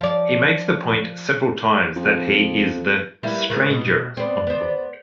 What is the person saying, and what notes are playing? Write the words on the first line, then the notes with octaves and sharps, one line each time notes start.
He makes the point several times that he is the "stranger" on board.
F3 D5
F2
G3 A#3 E4 B4
G#2 D#3
B2
B3 C4 D5
B3 C5